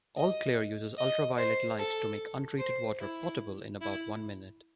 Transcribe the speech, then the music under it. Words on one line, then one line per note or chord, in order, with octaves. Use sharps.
All Clear uses ultraviolet light to make untreated water potable in about one minute.
D#5
D#5
C5
A4
C5
E4
E4